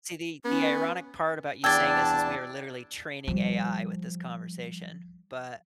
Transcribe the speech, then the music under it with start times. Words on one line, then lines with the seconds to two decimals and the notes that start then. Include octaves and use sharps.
See, the the ironic part about you saying this is we are literally training AI with this conversation. But
0.45 B3 C#4
1.64 E2 D4 D5 G5 A5 E6 G#6 A6
3.27 F3 G3